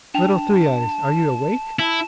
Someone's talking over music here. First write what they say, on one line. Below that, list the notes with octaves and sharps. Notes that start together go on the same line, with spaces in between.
'Little Three-eyes, are you awake?
D4 G5 A5 F7
E4 A5